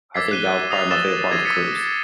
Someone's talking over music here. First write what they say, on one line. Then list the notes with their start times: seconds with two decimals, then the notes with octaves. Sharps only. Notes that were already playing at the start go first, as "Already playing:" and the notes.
I think that was probably my favorite part of the cruise.
0.14 D6 E6 G#6 A6 B6 C7
0.31 F#6 D#7 G7
0.71 D#6 A6 A#6 C7 F7
0.90 D#6 E6 A6 E7 G7
1.31 D6 G#6 A#6 C7 D#7
1.44 E6 G#6 A6 B6 C#7 G7